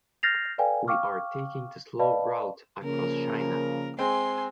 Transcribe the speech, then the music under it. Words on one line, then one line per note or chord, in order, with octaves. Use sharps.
We are taking the slow route across China.
F6 G6 A6 A#6 C7 F7
A4 B4 D5 F5 G5 G#5
F5 G5 C#6 D6 F6
B4 D5 D#5 F5 A5 B5
C#3 F3 A#3 A#4
A#4
G#3 C4 G#5 C6